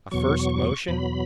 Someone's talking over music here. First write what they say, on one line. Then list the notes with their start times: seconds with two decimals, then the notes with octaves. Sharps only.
A first motion?
0.11 E2 B2 F#3 C#6
0.88 E2 B2 F#3 B5